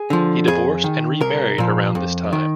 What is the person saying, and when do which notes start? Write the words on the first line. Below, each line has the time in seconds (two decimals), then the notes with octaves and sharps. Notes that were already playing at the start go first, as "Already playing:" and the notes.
He divorced and remarried around this time.
Already playing: G#4
0.10 D3 F3
0.47 F2 G#4
0.84 D#3
1.21 C2 A#4
1.58 A#2 F3
1.95 F2
2.33 D#3